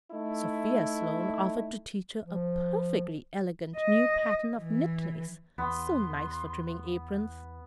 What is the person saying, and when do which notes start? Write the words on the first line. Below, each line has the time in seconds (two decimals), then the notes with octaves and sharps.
Sophia Sloane offered to teach her a perfectly elegant new pattern of knit lace, so nice for trimming aprons.
0.11 A3 D#4 E4
2.25 F3
3.77 D#5
4.57 E3
5.58 E2 B3 C6